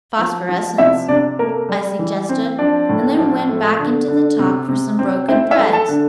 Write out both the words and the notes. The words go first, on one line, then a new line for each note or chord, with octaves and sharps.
"Phosphorescence," I suggested, and then went back into the talk for some broken threads.
F3
F3
C3 E4 E5
C3 D4 D5
A3 A#3 A#4
G3
E3
C4
F3 D4 D5
A2
F3
A3
D3
D3
C3
C3
C4
C4 E4 C5
E4 E5
A3
A4 A5
D3